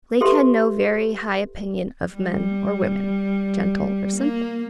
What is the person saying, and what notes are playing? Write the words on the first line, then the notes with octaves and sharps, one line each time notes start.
Lake had no very high opinion of men or women, gentle or simple.
G4 A4 B4 E5 C6
G3
A#3